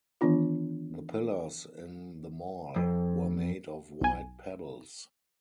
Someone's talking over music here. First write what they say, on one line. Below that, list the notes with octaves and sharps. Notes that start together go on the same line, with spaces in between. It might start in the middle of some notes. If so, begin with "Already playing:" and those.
The pillars in the mall were made of white pebbles.
D#3 E3 B3 D4 F4
F2
B1 G#5